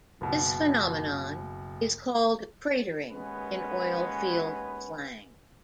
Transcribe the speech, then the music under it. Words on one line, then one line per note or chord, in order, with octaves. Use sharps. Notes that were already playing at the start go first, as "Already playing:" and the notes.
This phenomenon is called "cratering" in oil field slang.
F#1 B2
D#2 G#3 B3 C#4 B4